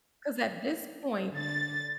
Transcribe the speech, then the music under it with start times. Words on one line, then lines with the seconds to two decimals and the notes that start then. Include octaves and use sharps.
'cause at this point
1.34 D3 A6